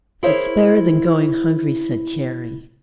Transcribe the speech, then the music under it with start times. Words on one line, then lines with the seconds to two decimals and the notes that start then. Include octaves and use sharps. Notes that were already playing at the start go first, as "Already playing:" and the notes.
"It's better than going hungry," said Carrie.
0.23 E4 G#4 A#4 C5 C#5 E5